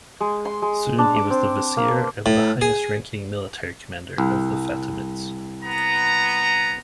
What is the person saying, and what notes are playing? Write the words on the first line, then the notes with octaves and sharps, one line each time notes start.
Soon he was the vizier and the highest-ranking military commander of the Fatimids.
G#3
C6
G#3
D4
D6
C4
A#3
A2
G#4
C2
B3 A#5